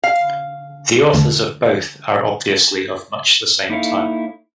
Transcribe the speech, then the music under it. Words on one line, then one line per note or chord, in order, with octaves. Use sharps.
The authors of both are obviously of much the same type.
F5
E2 D3 A3
A#3 D#4 E4 A4 C#5 F5